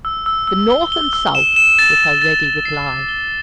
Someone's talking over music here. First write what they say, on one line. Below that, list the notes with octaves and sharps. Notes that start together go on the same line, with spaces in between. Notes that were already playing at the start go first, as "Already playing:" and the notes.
"The North and South," was her ready reply.
E6
E6
E6
G7
G7
E6
E7
E7
A6
A6
A6
E7
C7
D6
G7